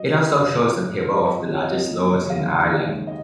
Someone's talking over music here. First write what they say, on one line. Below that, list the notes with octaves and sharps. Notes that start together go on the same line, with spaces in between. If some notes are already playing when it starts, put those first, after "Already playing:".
It also shows a table of the largest loughs in Ireland.
Already playing: F#3 D#5
C#3
F#2
F#2
G#3
F3 D#5
F2
C#5
F2 D#5
A#3
C#3 C#5
F5
D#2
F5
D#2
G#3
D#5